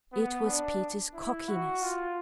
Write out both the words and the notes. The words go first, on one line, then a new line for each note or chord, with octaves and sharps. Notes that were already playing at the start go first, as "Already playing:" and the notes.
It was Peter's cockiness.
B3
D4
E4
F#4
F4